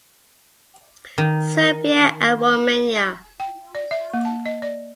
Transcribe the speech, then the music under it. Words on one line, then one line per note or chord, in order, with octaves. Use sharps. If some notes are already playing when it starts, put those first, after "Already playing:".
Serbia and Romania.
D#3
G5
D5
E5
A#3
A5
D#5
D5